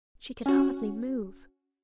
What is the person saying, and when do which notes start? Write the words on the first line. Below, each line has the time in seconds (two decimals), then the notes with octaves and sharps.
She could hardly move.
0.46 C#4 F#4